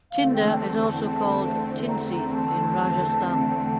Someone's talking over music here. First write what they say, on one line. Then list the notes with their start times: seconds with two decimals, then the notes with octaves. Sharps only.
Tinda is also called "tindsi" in Rajasthan.
0.12 E2 D3 A3 C4 F5
0.34 G5
0.56 A5
0.78 A5
1.01 A5
1.89 A#5
2.33 A5